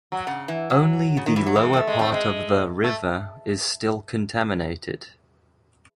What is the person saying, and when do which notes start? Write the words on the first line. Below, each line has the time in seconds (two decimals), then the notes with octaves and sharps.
Only the lower part of the river is still contaminated.
0.12 F#3
0.27 C#3
0.48 E3
0.70 F#3
1.17 C#3
1.26 D#3
1.36 E3
1.46 F#3
1.56 E3 G#3
1.73 C4
1.77 A3
1.87 G#3
1.99 A3 C4
2.12 G#3
2.84 A3